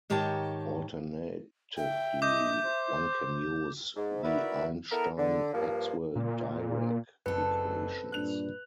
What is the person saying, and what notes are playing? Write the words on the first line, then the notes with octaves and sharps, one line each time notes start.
Alternatively, one can use the Einstein-Maxwell-Dirac equations.
G#2 D#3 G4 C#5 G5 A5
E5 G5
D#5 D6 G6
C5
G#2
E4 F#4 A#4 B4 D5 E5
B3 E4 A4 A#4
D3
G2 F3 A#3
A#2
F#1 C4 A4 B4
G2 A#2 D4 F#6 F7